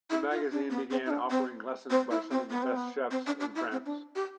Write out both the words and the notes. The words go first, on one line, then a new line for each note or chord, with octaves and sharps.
The magazine began offering lessons by some of the best chefs in France.
E4
F4
D4
B3
C4
E4
D4
C4
C4
E4
C4
B3
C4
B3
C4
D4
D4
E4
C4
D4
G4